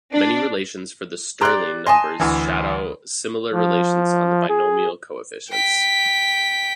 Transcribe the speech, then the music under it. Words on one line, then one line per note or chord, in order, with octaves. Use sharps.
Many relations for the Stirling numbers shadow similar relations on the binomial coefficients.
D4
G4 D5 A#5 C6 F#6
D#5 G#5 A5 C6 D#6
D2 E3
F3
G#4
G5 B6